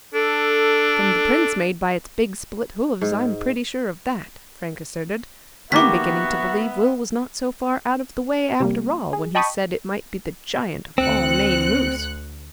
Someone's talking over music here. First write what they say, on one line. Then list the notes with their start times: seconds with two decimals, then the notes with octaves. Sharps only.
"From the prints made by its big split hoofs, I'm pretty sure of that," Frank asserted; "I'm beginning to believe Will was not so far out of the way, after all, when he said it might be the giant of all Maine moose!"
0.14 D4 A4
3.01 G#2
5.72 D#3 A#3 B3 F#4 G4 E5 D6 B6
8.60 C3 G3 A#3
9.13 G#4
9.35 D#5 G5 A5 B5 C#6 D#6
10.98 D2 C4 F#6 C#7